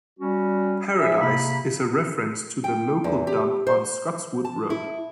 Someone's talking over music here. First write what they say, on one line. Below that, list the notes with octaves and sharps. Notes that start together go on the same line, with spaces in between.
Paradise is a reference to the local dump on Scotswood Road.
G3 C#4 F#4
F3 E4 G#4 E5
C3 A#3 B5
G5
E2
G4
C5
A5
E4